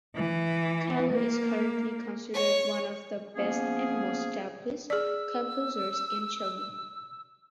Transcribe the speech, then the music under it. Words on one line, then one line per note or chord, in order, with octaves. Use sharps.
Tilo is currently considered one of the best and most established composers in Chile.
E3
A#3
C#5
F3 A#3 B3 C#4 G#4
G#4 D5 E6